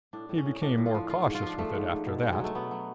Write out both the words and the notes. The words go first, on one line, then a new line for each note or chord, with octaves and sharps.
He became more cautious with it after that.
A2 D4
A2
C#4
A2
A2 D4
A2
F4
F3
F3 F4
G#2 F#4
F4
F3 D4
F3 A3
G#2
G#2
B2
B2
G#3
F#3
A3
B2 B3
F#3